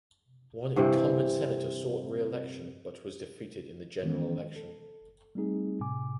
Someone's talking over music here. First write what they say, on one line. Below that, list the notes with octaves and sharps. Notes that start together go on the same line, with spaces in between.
One incumbent senator sought reelection but was defeated in the general election.
G2 C3 E3 C4
D#3 E3 G#3 B3 C#4
A4
G3 A3 C4 D#4 G#4
A2 C3 G#5 D6